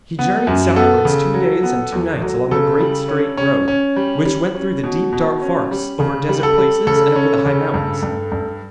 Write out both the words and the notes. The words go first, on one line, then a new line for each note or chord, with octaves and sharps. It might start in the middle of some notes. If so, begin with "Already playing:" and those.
He journeyed southwards two days and two nights along the great straight road, which went through the deep dark forests, over desert places and over the high mountains.
B3
F#2
B3 A4
C#3
F#3
B3
E2
F#3
C#3 A4
G3
C#4
C#4
C#4
G3
G3
C#4
B2
B2
C#4
G3
C#3
G3
A4
G3
C#3 A4
C#4
C#3
G2
G2
G2